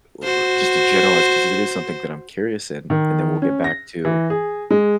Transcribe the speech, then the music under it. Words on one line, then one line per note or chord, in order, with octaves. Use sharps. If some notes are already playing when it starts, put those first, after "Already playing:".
uh uh uh, just to generalize 'cause it is something that I'm curious in, and then we'll get back to
F#4 C5
D#3
C#4
A#6
E3
G#4
G#3